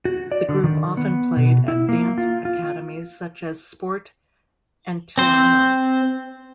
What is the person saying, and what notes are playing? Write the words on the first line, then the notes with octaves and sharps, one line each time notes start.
The group often played at dance academies such as Sport Antillano.
F#4
D5
D3
D#3
B3
B2
E4
A#3
F4
F4
C4 C5